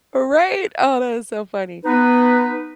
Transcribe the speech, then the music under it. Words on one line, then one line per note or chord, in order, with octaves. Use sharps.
Right? Oh, that is so funny.
B3 D#4 B4